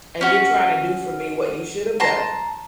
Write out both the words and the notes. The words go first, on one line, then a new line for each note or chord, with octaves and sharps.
and you're trying to do for me what you should have done
C#4 F#4
A5 A#5 C6